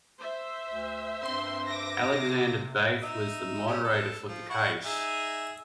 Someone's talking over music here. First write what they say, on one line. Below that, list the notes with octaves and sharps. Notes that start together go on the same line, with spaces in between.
Alexander Beith was the moderator for the case.
C5 E5
D2
G2 C4 C6
D6 A#6
C3
D#4 E5
G3 C#4
A4
F3
E4 F#5 C#6
D#4 G#4 E5